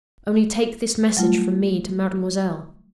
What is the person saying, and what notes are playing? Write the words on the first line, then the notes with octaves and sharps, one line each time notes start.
Only take this message from me to mademoiselle.
F#3 G3 A3 F4